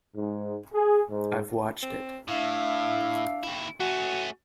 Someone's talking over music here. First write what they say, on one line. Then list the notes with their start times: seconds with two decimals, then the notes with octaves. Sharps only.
I've watched it.
0.13 G#2
0.73 G#4
1.08 G#2
1.82 C4
2.28 A2 D4 E4 E5 F5
3.44 D#2 E4
3.80 A3 C#4 F#4